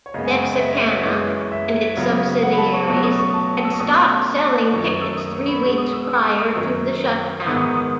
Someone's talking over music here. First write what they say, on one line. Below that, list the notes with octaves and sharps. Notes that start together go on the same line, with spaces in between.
Mexicana and its subsidiaries had stopped selling tickets three weeks prior to the shutdown.
C#5
F#2 C#3 G#3 B3 D#5
G#5
F#5
G#5
E5
D#5
C#5
D#5
F#2 E3 G#3 C#4
E5
C#3 F#3 B3
F#5
B5
A5
C#6
B2 F#3 A3 C#4 C#6
D#6
C#6
A5
E6
C#6
B2 A3 C#4 D#6
F#2 D#3 F#3 A3 C#4 C#6
D#6
E6
D#6
C#6
B5
B2 G#3 B3 C#6
D#6
E6
E6
D#6
D#6
F#2 D#3 F#3 C#4 E6
G#2 D#3 G#3 B3 D#6
D#6
D#6